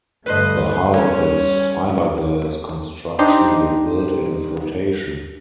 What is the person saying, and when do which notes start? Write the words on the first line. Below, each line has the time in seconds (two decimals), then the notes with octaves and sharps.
The hull is fibreglass construction with built in flotation.
0.26 G2 D3 A3 B4 C5 D#5
0.93 G3 C#4
3.19 D4 D#4 G4 C5